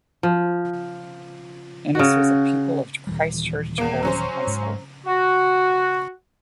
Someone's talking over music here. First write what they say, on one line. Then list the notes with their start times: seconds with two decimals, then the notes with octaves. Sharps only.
Innes was a pupil of Christchurch Boys' High School.
0.23 F3
1.95 C#3 F#4
3.07 D#1 E3 G3
3.78 E2 A#3
4.03 F#3 C#4 C5
4.47 G#2
5.06 F#4